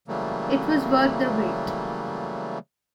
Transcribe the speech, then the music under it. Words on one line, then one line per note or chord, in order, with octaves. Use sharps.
It was worth the wait.
C#3 E3 F#3 G3 A3 A#3